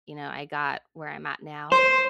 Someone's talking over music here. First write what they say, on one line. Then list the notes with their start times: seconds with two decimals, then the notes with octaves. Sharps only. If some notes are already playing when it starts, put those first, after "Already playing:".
you know, I got where I'm at now,
1.72 C5